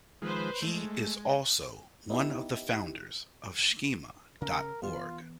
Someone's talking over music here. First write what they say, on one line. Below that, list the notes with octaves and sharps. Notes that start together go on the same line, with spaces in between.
He is also one of the founders of Schema dot org.
D#3 F3 G#3 B4 C5
G#3 A3
B3 D#4 E4 G4
C#3 C#4 A#4
E3 B3 F4